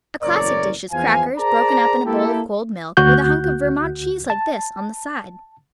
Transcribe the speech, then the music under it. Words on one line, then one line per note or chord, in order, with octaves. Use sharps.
A classic dish is crackers, broken up in a bowl of cold milk, with a hunk of Vermont cheese like this on the side.
F#1 E2 A2 A#4 C#5 D5
E2 E3 F3 F5 G#5
G#4 A#4 C5 D5 A5 A#5
A#3 E4 G4 A4
D2 F#4 F#6 G6
A5